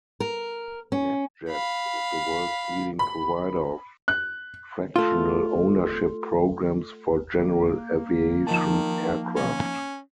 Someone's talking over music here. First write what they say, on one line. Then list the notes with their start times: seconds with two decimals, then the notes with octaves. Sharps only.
NetJets is the world's leading provider of fractional ownership programs for general aviation aircraft.
0.20 A#4
0.92 C#4
1.50 F5 B5
2.99 B5
4.08 F#6
4.96 A3 F4
7.36 A#3
8.47 D#3 F3 D#4 A5
9.36 C#4